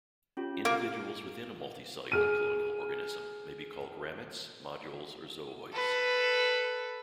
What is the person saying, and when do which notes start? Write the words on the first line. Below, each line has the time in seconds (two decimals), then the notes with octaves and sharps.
Individuals within a multicellular colonial organism may be called ramets, modules, or zooids.
0.37 C#4 F4 G4
0.65 A#3
2.12 G#4 F6 D#7
5.73 A4 B4